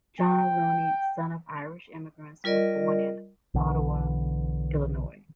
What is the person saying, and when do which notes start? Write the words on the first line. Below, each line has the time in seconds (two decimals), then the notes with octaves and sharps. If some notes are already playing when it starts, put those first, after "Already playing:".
John Looney, son of Irish immigrants, was born in Ottawa, Illinois.
0.21 G5
2.44 G3 F4 A#4 D5 D#5
3.54 B1 D3 E3